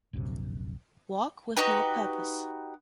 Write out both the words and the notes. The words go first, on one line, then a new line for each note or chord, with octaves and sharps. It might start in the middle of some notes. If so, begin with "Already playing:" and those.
Walk with no purpose.
D1 A#1 F#2 C3
D#4 F#4 G4 B4